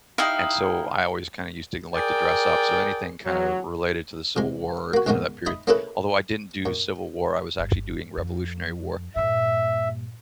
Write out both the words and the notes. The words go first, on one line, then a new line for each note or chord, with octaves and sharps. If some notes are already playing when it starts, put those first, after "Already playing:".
and so I always kinda used to like to dress up. So anything kind of related to the Civil War, kinda that period. Although I didn't do Civil War, I was actually doing Revolutionary War,
D#4 E4 G4 F5
G#4 A#4 D5 G5
F#3
C3 G#3
A#3 F#4
C#2 G#2 B2 D#3 G#3 B3
D#4 D#5 E5 B5
A#3 C#4 E4 G#4 A4 B4
F#2
G1
F2
G2 A#2 E5